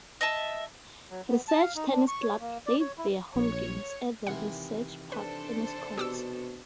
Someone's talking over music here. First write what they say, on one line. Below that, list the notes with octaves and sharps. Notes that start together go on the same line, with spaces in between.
Research Tennis Club play their home games at the Research Park Tennis Courts.
D#5 E5 A5
F#3
B3
A5
F5
D#4
D4
C#6
C#5
A#3
D5
C#5
E4
A#1 C#5
C3 D#3 E3 F#5
D4 A4 B4 C5
B2 G4 D6 E6